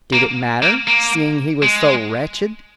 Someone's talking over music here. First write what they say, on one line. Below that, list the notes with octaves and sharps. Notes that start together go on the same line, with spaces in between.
Did it matter, seeing he was so wretched?
A#3
A#3
A#3
G#3